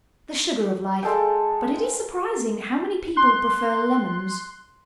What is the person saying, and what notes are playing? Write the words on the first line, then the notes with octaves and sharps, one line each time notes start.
The sugar of life, but it is surprising how many people prefer lemons.
G#3 A4 F5 G5
C6 F#6